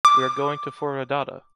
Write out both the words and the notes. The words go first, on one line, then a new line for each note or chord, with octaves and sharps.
We are going to Foradada.
D6